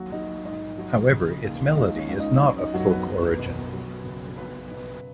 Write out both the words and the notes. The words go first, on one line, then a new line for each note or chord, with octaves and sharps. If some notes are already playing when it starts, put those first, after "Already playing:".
However its melody is not of folk origin.
Already playing: D#2 F#3 F#4
F#3 D#4
G#1 D#4
F#3
C#3
D#2
C#2 D#4
C#4
C#2
D#4
F#3 C#4
D#4
F#1 F#3 F#4
B3 B4
F#3
B2
F#3
C#3
B1 B3 B4
B2